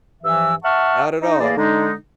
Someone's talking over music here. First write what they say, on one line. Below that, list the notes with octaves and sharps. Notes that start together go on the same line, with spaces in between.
Not at all.
G2 E3 F3 E5 E6
E5 F#5 A5 C#6 F6
D#4
E3 A#3 G#4 D5
D3 G#3 D#4